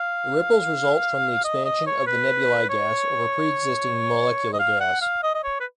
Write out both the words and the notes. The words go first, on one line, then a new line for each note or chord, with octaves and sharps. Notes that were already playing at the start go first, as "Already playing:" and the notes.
The ripples result from the expansion of the nebulae gas over pre-existing molecular gas.
Already playing: F5
D#5
D#5
C#5
B4
C#5
D#5
F5
F#5
F5
D#5
D#5
C#5
B4